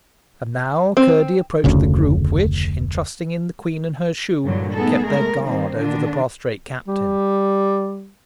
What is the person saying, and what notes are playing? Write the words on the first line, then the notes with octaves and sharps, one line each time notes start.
And now Curdie approached the group which, in trusting in the queen and her shoe, kept their guard over the prostrate captain.
C4
F1 D2 C#3
G2 A#2 D3 E3 F#3
A3 B3 D#4 G#4 A4
G#3 A3 B3 A#4
D#3 G3 A#3 C4
D3 D#3 D4
G3